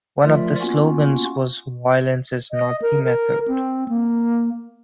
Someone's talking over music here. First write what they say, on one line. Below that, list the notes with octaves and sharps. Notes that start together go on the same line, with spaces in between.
One of the slogans was "Violence is not the method".
F3 A3 F4 A#4 D5 E5
A#3 B3 C#4 F4 F#4
D#5
A#4
A#4
C4
A#3